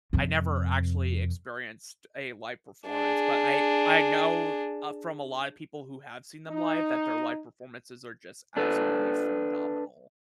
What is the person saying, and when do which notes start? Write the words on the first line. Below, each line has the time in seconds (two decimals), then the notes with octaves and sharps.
I never actually experienced a live performance, but I I know, uh, from a lotta people who have seen them live that their live performances are just absolutely phenomenal.
0.13 F2 C3
2.88 D4 G#4
6.49 D#4
8.57 D4 A4 B4